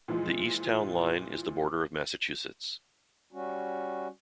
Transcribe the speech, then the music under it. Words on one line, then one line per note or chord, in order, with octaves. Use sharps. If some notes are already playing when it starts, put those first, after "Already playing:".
The east town line is the border of Massachusetts.
A#2 E3 F3 G#3
G3 C#4 F#4